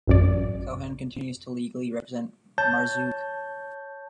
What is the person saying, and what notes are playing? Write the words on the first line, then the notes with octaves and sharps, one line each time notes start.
Cohen continues to legally represent Marzook.
A1 F#2 D5
C#5 A5 G6